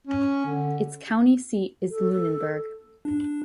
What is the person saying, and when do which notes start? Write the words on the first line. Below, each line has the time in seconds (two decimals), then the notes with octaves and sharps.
Its county seat is Lunenburg.
0.07 C#4
0.46 D3
1.91 A4
3.05 D4